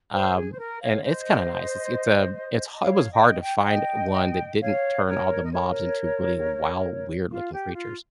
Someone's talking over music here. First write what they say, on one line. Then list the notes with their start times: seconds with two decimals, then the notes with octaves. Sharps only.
Um, and it's kinda nice. It's it's a it's ha it was hard to find one that didn't turn all the mobs into really wild, weird looking creatures.
0.13 C5
0.36 G#4
0.51 C5
0.58 A#4
0.81 C#5 F5
1.02 C5 D#5
2.74 D#5
2.82 C#5 F5
3.12 D#5 G5
3.41 G5
3.63 D#5 G5
4.61 C#5 F5
5.06 A#4 C#5
5.43 D#5
5.51 A#4 C#5
7.30 F4
7.53 G4
7.75 F4